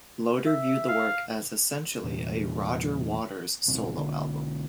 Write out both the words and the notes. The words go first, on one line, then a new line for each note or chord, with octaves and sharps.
Loder viewed the work as "essentially a Roger Waters solo album".
E5
F5
E2 A#2
D1 G#1 B2 C4
B1 D3